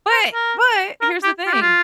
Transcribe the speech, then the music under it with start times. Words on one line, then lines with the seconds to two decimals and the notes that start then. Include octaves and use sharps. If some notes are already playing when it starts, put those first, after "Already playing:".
But but here's the thing,
0.12 C5
0.34 A#4
1.01 A#4
1.23 G4
1.47 F4
1.53 G4
1.62 F4